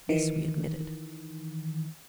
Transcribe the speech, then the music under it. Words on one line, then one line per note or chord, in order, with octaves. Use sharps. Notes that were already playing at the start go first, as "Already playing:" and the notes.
This we admitted.
D#3 E3